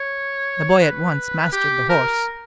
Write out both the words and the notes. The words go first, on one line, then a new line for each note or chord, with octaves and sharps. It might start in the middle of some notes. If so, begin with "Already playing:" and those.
The boy at once mastered the horse.
Already playing: C#5
B4
G4
A#4